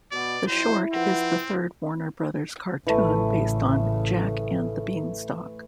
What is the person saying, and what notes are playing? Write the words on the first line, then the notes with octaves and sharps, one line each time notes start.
The short is the third Warner Brothers cartoon based on "Jack and the Beanstalk".
B2 D5
F2 F#3 E4 C5
F3 C4 B4 F#5
A1 C#3 E3 A3